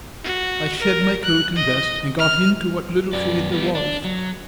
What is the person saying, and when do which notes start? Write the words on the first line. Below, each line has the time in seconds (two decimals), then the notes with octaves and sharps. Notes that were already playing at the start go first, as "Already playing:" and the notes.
I shed my coat and vest and got into what little shade there was.
0.24 F#4
0.79 A#4
1.24 F#6
1.56 D#5
2.19 F6
3.13 F#2 D5
3.52 G3 B3
3.75 D4
4.04 F#3